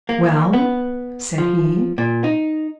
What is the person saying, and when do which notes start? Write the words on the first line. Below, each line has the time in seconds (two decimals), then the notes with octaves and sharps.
"Well?" said he.
0.09 A#3
0.53 B3
1.38 F3
1.98 A#2
2.24 D#4